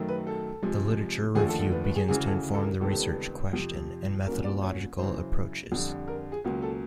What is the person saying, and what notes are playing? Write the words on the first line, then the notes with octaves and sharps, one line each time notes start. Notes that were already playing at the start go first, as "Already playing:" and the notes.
The literature review begins to inform the research question, and methodological approaches.
Already playing: F#2 D#3 F#3 A3
B4
A4
C3 F3 G#3
D#2 D3 F3 A3 G#4
A4
A4
B4
B4
G#4
D2 C#3 E3 G#4
A4
A4
A#4
C#2 C3 D#3 G3 B3 A4
F2 C3 F3
C2 A#2 F#3 A#3 C#4 A#4
D5
C#5
F#2 C#3 E3 C5
F2 D3 G3
A#4
G#4
C#2 B2 F#3 A#3 C#4
A4